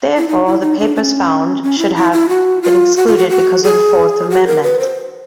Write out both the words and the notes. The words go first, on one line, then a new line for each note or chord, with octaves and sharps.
Therefore, the papers found should have been excluded because of the Fourth Amendment.
E4
D#4
E4
D#4
D4
D4
C#4
C#4
E4
E4
E4
F#4
F4
F#4
F4
F#4
F#4
G#4
F#4
A#4
B4
C5